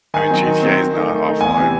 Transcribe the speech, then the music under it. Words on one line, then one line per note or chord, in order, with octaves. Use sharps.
I mean, GTA is not offline.
D#3 G#5
F#3 C4 D#4
D#3
F#3 C4 D#4
D#3
A3 D#4
D#3
A3 D#4
E2 G#5
C3 E3